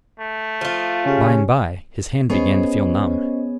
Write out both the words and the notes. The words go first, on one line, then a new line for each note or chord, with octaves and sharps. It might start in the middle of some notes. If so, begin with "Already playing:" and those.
By-and-by, his hand began to feel numb.
A3
F3 F4
C#3 C#4 G4 G#4
B3 C#4 G#4 C5 C#5 D#5